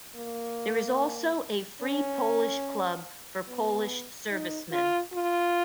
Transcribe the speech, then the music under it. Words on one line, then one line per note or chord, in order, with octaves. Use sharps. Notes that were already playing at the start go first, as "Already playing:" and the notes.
There is also a Free Polish Club for Polish servicemen.
A#3
C#4
B3
D#4
F4
F4